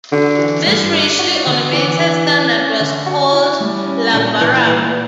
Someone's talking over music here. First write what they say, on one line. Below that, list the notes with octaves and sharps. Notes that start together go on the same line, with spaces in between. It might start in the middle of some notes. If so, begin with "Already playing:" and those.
This richly ornamented standard was called "labarum".
D3 F#4
E3
G2
D4
F#4
D3
E3 D4
D4
D4
C#4
D3
F#4
E4
G3
C#4
A#2 D3
A#2 E3
A#2 E3